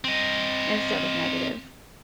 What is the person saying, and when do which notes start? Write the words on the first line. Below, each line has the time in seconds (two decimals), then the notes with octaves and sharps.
instead of negative,
0.04 C4 D#5